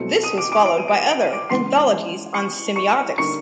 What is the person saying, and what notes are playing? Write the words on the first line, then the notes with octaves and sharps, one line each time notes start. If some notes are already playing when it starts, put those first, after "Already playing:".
This was followed by other anthologies on semiotics.
Already playing: B2 F#3 A3 C4 E4 C#7
D#6 D#7
D6 D7
D6 D7
D7
D#7
D7
D#7
D7
D#7
D6 D7
C#3 E3 G#3 B3 C6 C7
C#6 C#7
C#6 C#7
D3 G3 A#3 D#4 C#6 C#7